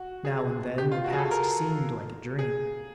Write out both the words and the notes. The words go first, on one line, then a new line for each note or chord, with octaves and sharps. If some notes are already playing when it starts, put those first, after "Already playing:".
Now and then the past seemed like a dream.
Already playing: F#4
G#4
G4
F4
F#4
G#4
A4
A#4
G#4